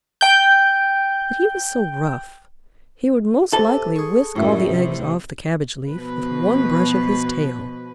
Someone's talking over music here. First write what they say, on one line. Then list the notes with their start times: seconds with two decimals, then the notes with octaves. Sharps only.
But he was so rough!--he would most likely whisk all the eggs off the cabbage-leaf with one brush of his tail.
0.21 G5 G6
3.53 C3 A4 B4
3.96 G#4 C#6
4.35 F#2 A2 D#3 G3 E5
4.71 C3
5.89 B2 F3 B4